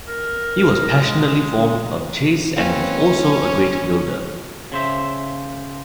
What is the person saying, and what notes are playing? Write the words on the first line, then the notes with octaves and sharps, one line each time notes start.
He was passionately fond of the chase and was also a great builder.
A#4
G#3
A#3 C4 C#4 B4
C#3 C5 E5